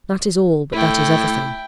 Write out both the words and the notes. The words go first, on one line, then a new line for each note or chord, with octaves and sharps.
That is all: but that is everything.
A2 E4 G5